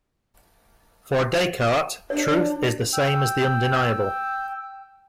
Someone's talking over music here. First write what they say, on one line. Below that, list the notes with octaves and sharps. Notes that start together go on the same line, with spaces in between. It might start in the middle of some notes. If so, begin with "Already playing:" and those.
For Descartes, truth is the same as the undeniable.
D4 C#5
G5 E6